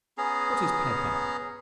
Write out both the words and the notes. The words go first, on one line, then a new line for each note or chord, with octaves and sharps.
What is Pepper?
B3 C#4 G#4 A#5